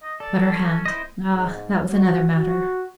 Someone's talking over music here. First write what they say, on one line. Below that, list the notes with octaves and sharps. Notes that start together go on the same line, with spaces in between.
But her hand--ah, that was another matter.
D#5
A4 D5
C#4
E4 C5 D#5
G#2
F#4
F#4